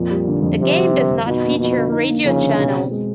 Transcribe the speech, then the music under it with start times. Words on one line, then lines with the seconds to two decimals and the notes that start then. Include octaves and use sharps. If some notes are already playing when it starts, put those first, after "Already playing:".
The game does not feature radio channels.
Already playing: F2 A#2
0.11 G3
0.27 D3
0.43 F2
0.60 F2 C3
0.76 G3
0.93 D3
1.10 F2
1.26 B2 D#4
1.43 A#3
1.59 B2 F3
1.76 D3
1.92 D#4
2.10 A#3
2.25 C#3 F3
2.42 D3
2.59 B2
2.76 C4
2.91 G#3